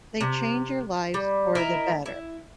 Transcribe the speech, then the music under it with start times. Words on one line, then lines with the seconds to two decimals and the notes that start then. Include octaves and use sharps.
they change your lives for the better.
0.21 C3
1.14 G3
1.55 E4 A#4 D#5 E5
2.06 E4